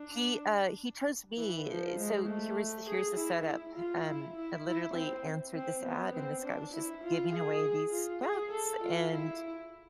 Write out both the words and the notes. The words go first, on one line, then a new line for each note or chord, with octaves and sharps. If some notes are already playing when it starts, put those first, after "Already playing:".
he, uh he chose me, eh, so here was here's the setup. Um, I literally answered this ad, and this guy was just giving away these cats, and,
Already playing: D4
E3
F3
G#3
A3
G#4
E4
E4
F4
E4
E4
E4
C4
C4
B3
C4
D4
E4
F4
G#4
F4
G#4
A4
F4
E4